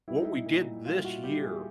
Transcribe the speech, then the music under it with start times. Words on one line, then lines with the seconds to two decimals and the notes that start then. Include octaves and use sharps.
what we did this year
0.08 G3 E4
0.16 D#4
0.25 E4
0.46 A#2
0.85 G3 F4
0.97 F4
1.04 F#4
1.23 G3 G4
1.43 G#4